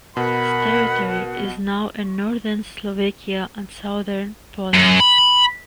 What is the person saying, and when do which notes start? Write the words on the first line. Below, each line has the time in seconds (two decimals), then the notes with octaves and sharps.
Its territory is now in northern Slovakia and southern Poland.
0.17 B2 A#4 F#5 B5
4.74 F#2
5.00 B5